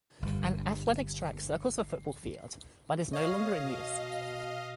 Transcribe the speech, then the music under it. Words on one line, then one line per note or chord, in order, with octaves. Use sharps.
An athletics track circles the football field, but is no longer in use.
G1 G2
C#5 D#5 F5
B2